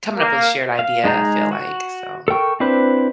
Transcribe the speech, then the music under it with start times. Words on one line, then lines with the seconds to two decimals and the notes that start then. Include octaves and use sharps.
coming up with a shared idea, I feel like, so
0.18 A#3
0.79 F5
1.04 G#3 D#4 G#4 A#5 G6
1.52 F#4
2.28 A4 A#4 G5 C#6
2.60 C4 D4 E4 B4 C5